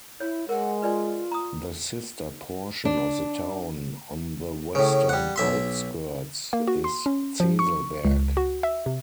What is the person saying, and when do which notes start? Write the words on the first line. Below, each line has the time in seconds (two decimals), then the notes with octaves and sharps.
The sister portion of the town on the western outskirts is Zeselberg.
0.20 E4 C#5
0.49 G#3 A#4 F#5
0.82 F4 B4 D5 G#5
1.32 A#5 D#6
2.85 D4
4.75 A2 C#3
5.09 G3 F#5
5.36 B1 E5 C6
6.53 A#3
6.68 F#4
6.84 C6
7.06 C#4
7.40 F3
7.59 C#6
8.05 C#2
8.37 F#4
8.63 E5
8.86 C3